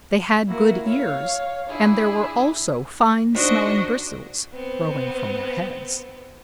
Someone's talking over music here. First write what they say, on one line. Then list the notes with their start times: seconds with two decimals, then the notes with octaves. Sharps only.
They had good ears, and there were also fine smelling-bristles growing from their heads.
0.46 A#3 E4 F#4 A#4
0.86 C#5 F5
1.69 D4 E4 G#4
3.34 D4 D#4 F#4 C5 D#5
4.54 B3 C4